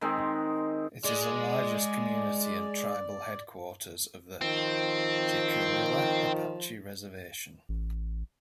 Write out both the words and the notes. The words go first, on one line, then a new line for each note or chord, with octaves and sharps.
It is the largest community and tribal headquarters of the Jicarilla Apache Reservation.
D#3 G#3 C4
G#3 D5
D#3 F3 C4
A1